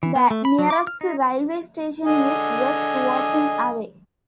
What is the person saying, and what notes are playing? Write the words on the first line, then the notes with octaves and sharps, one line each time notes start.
The nearest railway station is West Worthing, away.
E3
B3
A3
B5
F#3
D6
F6
D#4
D3 D#5 G#5